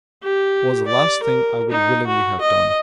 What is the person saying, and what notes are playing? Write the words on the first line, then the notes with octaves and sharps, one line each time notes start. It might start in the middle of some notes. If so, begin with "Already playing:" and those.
It was the last thing I would willingly have done.
G4
D5
A#4
D#4
F#4
D#5